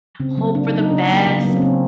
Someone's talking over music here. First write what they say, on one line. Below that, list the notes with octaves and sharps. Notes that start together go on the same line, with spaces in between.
hope for the best.
C#3 C4
F#3 A#3
C#3 D4
D#4
F#3 A#3
D#4
C#3 D4
F#3 A#3
C#3
B3
F#3 A#3
C4
C#4
C#3 C4